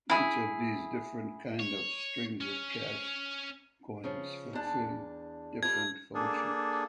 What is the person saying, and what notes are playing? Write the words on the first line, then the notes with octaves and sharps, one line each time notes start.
Each of these different kind of strings of cash coins fulfilled different functions.
E4 G#4
C#5
C#4
C#3 F3
E2 D4 A5
G3 F4 A4 G#6
A#3 D4 G#4 A4